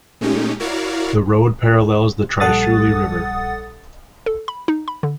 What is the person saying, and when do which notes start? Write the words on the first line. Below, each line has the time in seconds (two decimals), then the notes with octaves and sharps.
The road parallels the Trishuli River.
0.21 A#2 G#3 A3 C#4 D#4 G4
0.60 E4 F#4 A#4 C#5 D5 F5
2.40 A#1 G3 A4 F#5 D#6 A6
4.26 A4
4.48 B5
4.68 D#4
4.88 B5
5.03 D3